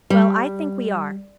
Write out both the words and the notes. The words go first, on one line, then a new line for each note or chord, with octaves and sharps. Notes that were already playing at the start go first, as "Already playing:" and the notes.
Well, I think we are.
G3